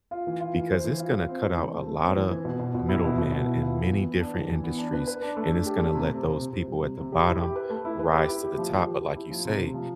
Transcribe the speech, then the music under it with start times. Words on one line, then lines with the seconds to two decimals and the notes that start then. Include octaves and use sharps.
because it's gonna cut out a lotta middlemen in many different industries, and it's gonna let those people at the bottom rise to the top. But like you say,
0.11 F4
0.27 E3
0.41 F4
0.55 E3
0.70 C5
0.84 E3
0.99 F4
1.13 F4
1.29 C4
1.43 C4
1.57 E3
1.72 A3
1.86 A3
2.02 C4
2.16 E3
2.30 E3
2.45 B2
2.59 B2
2.74 B2
2.89 E4
3.04 B2
3.18 B2
3.32 B2
3.46 E4
3.61 F4
3.76 E3
3.90 B3
4.06 E3
4.20 D4
4.35 E3
4.49 E3
4.64 B3
4.78 D4
4.93 B4
5.07 B4
5.22 D4
5.37 A3
5.52 D4
5.66 G4
5.80 A3
5.95 C3
6.10 C3
6.25 C4
6.39 C3
6.53 C3
6.68 G3
6.82 C3
6.97 C3
7.12 G4
7.26 E4
7.41 G4
7.56 B4
7.70 A3
7.85 E4
7.99 B4
8.14 G4
8.28 E4
8.42 G4
8.58 F3
8.72 F3
8.87 G4
9.01 G4
9.16 E4
9.30 F3
9.45 C3
9.60 C3
9.74 F3